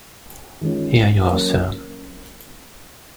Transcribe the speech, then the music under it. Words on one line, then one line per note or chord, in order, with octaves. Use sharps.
Here you are, sir.
D#3 G#3 C#4 F4
F#3 A#3 C#4